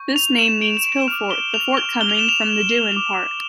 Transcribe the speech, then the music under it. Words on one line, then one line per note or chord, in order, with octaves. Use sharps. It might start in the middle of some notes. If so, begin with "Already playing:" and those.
This name means Hill-fort, the fort coming from the Duin part.
Already playing: C#6 G6
F7
E7
D7
F7
E7
D6 F6 F7
G7
F7
G7
G7
F7
E7
F7
D6 F6 F7